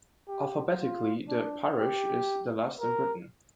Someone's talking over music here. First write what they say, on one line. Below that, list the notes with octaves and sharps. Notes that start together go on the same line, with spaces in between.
Alphabetically, the parish is the last in Britain.
G4
F4
D4
G4
A#4